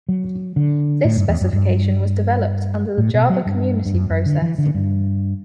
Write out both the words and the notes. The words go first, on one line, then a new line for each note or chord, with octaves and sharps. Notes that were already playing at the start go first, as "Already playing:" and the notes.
This specification was developed under the Java Community Process.
F#3
D3
A2
G2
E2
F#2
G2
A2
B2
F#3
G2
G2
F#2
F#2
D3
E3
D3
G2